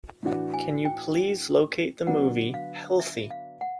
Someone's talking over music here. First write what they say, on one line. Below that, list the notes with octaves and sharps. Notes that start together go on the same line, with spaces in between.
Can you please locate the movie, Healthy?
A2 E3 A3 D4 F#4
G#5
G5
D3 F#3 B3 D4 F#5
F5
E5
F5
F#5